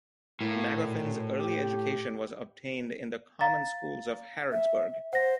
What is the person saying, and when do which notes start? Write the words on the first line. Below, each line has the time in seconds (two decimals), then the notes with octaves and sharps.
Magoffin's early education was obtained in the common schools of Harrodsburg.
0.41 A2 A#3 E4
0.73 F#2 A#2
1.38 G4
3.41 F5 A#5 A6
4.52 E5
5.13 C5 F#5 A#6